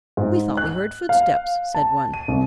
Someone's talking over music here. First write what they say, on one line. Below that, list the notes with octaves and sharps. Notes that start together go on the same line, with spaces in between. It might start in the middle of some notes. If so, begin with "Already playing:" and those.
"We thought we heard footsteps," said one.
G#2
F#6
F5
A5
D#7
C2